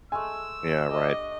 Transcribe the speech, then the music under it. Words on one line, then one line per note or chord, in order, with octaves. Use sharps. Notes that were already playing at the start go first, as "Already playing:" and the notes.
Yeah, right.
G#3 A3 G#5 E6
D4 G4 D#5